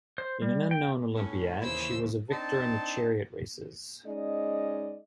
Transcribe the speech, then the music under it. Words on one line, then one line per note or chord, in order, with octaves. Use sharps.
In an unknown Olympiad, she was a victor in the chariot races.
C5
G3
G5
A2 C#4
D#2 C#3 E3 E4 C5 E6
C4 D4 D#4 A5
G#3 C#4 D#4 D5 D#5